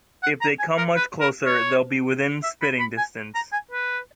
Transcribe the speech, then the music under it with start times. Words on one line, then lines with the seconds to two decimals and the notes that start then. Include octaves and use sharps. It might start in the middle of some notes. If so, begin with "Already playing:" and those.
If they come much closer, they'll be within spitting distance.
0.23 F#5
0.41 A#5
0.59 G#5
0.77 A#4
0.96 B4
1.20 A#4
1.45 C#5
2.43 E5
2.62 B5
2.79 B5
2.97 G#5
3.35 A#5
3.52 G#5
3.71 B4